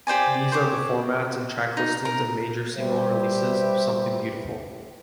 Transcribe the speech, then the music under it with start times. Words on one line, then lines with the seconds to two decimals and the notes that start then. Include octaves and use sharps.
These are the formats and track listings of major single releases of "Something Beautiful".
0.07 G4 C5 D5 G#5
0.52 C5 C#5 D6
1.77 D#4
2.05 A#4
2.77 G3 G4 B4 C5 E5